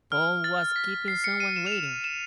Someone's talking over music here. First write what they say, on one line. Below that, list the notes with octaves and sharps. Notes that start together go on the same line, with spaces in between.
Paul was keeping someone waiting.
F6
A6
B6
C7
C#7
D#7
E7
F7
E7
E7